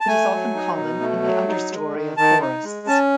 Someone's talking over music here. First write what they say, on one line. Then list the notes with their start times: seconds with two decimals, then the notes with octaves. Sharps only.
It is often common in the understorey of forests.
0.01 A5
0.07 A3 G#5
0.31 F#3
0.55 D#4
0.77 B2
1.01 A3
1.24 F#3
1.47 D#4
1.71 G#3
1.94 D#3
2.17 D#3 A5
2.41 D#4
2.64 G#3
2.87 C#4 A5